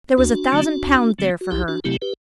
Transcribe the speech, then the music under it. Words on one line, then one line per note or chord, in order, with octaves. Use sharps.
There was a thousand pounds there for her!
D2 D4 F#4
D3 F#3 A3 C4
D2
D3 F#3 A3 C4
F#4
C2 E4 G4
D4 F#4
C3 F#3 A3 C4 E4 G4
G4 B4